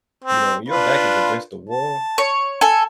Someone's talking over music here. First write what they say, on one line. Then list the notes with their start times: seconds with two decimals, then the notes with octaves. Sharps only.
you know, "When your back is against the wall,
0.24 C4
0.68 D4 F4 B4
1.69 A5
2.18 C#5
2.61 A4 G#5